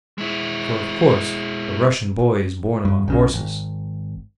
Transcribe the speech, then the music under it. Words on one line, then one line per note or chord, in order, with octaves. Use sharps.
For of course a Russian boy is born among horses.
G#3 E4
G2
B1 C#3 F#3
G#1